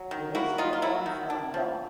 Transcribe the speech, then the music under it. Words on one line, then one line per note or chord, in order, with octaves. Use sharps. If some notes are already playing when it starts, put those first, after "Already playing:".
The next week on SmackDown!
Already playing: F#3
D#3
A#3 E4 F#4
D#3 D#4 F4
F4
F#3 E4
D#3
D4
F3